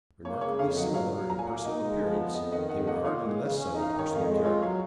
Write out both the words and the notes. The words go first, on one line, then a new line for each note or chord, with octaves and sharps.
Remarkably similar in personal appearance, they were hardly less so in personal character.
A#3 C#5
C#3 C#5
F2 C#5 F5
F#3 D#5 F#5
A#2 C#5 F5
F#3
A#2 A#5
G#5
A#3 F#5
F5
D#4 D#5
G#3
F3
B3
F2 D#5
D#3 D#5 F#5
F2 D#5 F#5
A#3 D#5 F#5
F4 C#5 F5
G#3
C#3
C#4
D#4 D#5
F5
D#3 D#5
C#5
F2
F5
D#5
G#3
F4 C#5 F5
F#3 C#5 F5